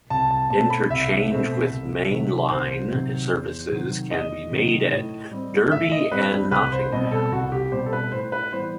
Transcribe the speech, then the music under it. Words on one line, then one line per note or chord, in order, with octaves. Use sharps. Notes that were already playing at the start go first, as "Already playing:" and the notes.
Interchange with Mainline services can be made at Derby and Nottingham.
C2 A5
A5
B2 A3 C4 A5
B5
C2 E5
B2 A3 C4
C2
C3 D#3 F#3
C2 C5
C3 D#3 F#3
E2
C3 D#3 F#3
E2 D#5
C3 D#3 F#3
A2
G3 C4
A2 E5
D#5
G3 C4 B4
C2 B4
C5
B2 G3 C4 D#5
A4
C2 F#4
G4
B2 G3 C4 C5
A4
B4
A2 C5
B4
E3 G3 B3 C5